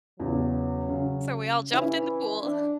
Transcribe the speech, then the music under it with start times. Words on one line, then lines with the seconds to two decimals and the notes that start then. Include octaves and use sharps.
So, we all jumped in the pool.
0.19 E2 C#3 F#3
0.89 C#3
1.71 E3 C#4 E4
2.42 D4